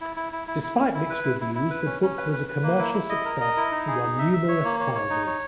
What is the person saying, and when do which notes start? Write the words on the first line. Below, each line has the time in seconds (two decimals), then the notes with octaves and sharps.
Despite mixed reviews the book was a commercial success and won numerous prizes.
0.01 E4
0.16 E4
0.33 E4
0.48 E4
0.63 E4
0.78 E4
0.95 E4
1.10 B4
1.25 E4
1.41 E4
1.55 E4
1.70 B4
1.86 C#4
2.02 C#4
2.17 B4
2.33 B4
2.48 B4
2.63 A#3
2.79 E4
2.94 E4
3.09 D#5
3.25 A#4
3.41 D#5
3.57 E4
3.72 D#4
3.88 G#4
4.03 D#4
4.19 E5
4.33 E5
4.48 C#5
4.64 A#3
4.80 C#5
4.95 C#5
5.10 D#4
5.26 C#5